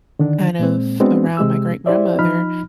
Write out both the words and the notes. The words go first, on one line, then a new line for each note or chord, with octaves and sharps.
kind of around my great-grandmother,
D3 D#3 D4
A#2 G#3 C4
G#3 B3 C4 D4 F#4
C3 G#3 G4 E6
E4 G4 C5 D5 E5
F3 D#4 B5 F6